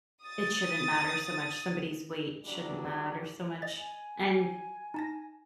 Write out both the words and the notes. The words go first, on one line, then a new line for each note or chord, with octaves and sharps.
it shouldn't matter so much, somebody's weight shouldn't matter so much. And
D#6 A6
E2 E3 F#3 G3 D4
D#5 A6
G#5
D#4 A5 A#6